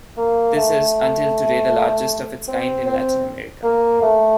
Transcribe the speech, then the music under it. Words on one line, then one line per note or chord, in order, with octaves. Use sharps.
This is, until today, the largest of its kind in Latin America.
A#3
A3
C4
C4
A#3
A3